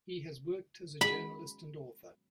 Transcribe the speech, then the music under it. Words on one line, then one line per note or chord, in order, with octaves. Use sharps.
He has worked as a journalist and author.
B5